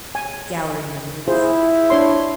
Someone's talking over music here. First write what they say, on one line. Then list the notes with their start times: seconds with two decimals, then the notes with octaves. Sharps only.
Gallery members.
0.15 G#5
1.28 E4 F4 G#4 C5
1.90 D4 C#5 C6